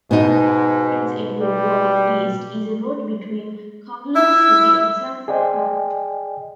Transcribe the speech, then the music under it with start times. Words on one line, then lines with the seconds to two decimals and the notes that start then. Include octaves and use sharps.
Prince Edward Road East is a road between Kowloon City and San Po Kong.
0.11 G#2 B2 D#4
1.41 G3
4.15 E4 E6
5.28 G#4 D5 D#5 G5 G#5